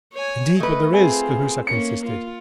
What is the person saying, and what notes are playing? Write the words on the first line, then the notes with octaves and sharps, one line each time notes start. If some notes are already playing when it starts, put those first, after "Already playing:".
"Indeed, but there is," Cahusac insisted.
C#5 G#5
A3 B4 D#5
C4 F4 G#4
A#3 C#4 C#7
F4